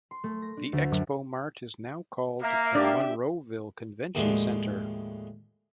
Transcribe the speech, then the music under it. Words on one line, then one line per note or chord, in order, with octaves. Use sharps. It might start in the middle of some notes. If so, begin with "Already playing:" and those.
The ExpoMart is now called the Monroeville Convention Center.
C6
A3
A#6
D4
D2
F#2
A#3 E5
D4 G4 D5 E5
D#2 A2 F3 G#3 D4